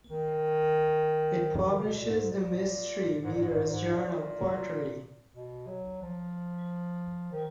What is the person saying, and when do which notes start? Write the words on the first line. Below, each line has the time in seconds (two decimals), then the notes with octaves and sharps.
It publishes the "Mystery Readers Journal" quarterly.
0.10 D#3
1.56 F#3
1.63 F3
1.70 D#3
1.77 C#3
1.84 B2
1.97 A#2
2.07 G#2
2.31 A#2
2.53 A#2
3.23 G#2
3.32 A#2
3.40 G#2
3.47 A#2
3.56 G#2
3.63 A#2
3.71 G#2
3.94 A#2
5.33 B2
5.67 F#3
6.02 F3
7.32 D#3